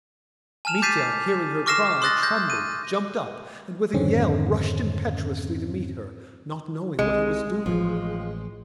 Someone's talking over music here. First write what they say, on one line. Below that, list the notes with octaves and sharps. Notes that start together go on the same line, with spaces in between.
Mitya, hearing her cry, trembled, jumped up, and with a yell rushed impetuously to meet her, not knowing what he was doing.
G#5 A5 F6 E7 F7
D6 G6 A6 B6 C7 D#7
C#6 D6 F6 A#6 C7 E7
C6 D#6 F#6 A6 A#6
G6 A#6
D#7
F2 G#2 D3 D#3 C4 C#4
C2 C3 G#3
A1 F3